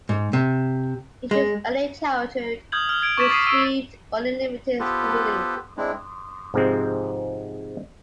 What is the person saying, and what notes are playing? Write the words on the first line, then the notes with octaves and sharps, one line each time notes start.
In his early childhood, he received only limited schooling.
G#2
C3
G#3
D#6 F6 G6 G#6 F#7
F6
G#6 D7
C#6 D6 A6 B6 E7 F#7
C#6 D#6 A6 B6 C7 D#7
C#6 E6 F6 D7 D#7
B3 F4 G4 A4 B4 C5
G#3 C4 D4 E4
G#2 C3 F3 G#3 C4